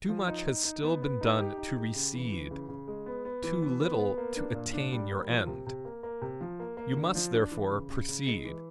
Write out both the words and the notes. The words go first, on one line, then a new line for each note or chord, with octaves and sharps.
Too much has still been done to recede, too little to attain your end; you must therefore proceed.
F3
D#4
D#4
D#4
B3
B3
D#4
G4
D#4
G4
C#3
E3
E3
C#3
C#3
G#3
B3
B3
E3
B3
B3
B3
A#3
D4
A#2
D4
G3
A#3
F3
C3
C3
A#3
A#3
C3
F3
A#3
A#3
D3
F3
D4
E3
C#3
C#3
C#3
G#3
E3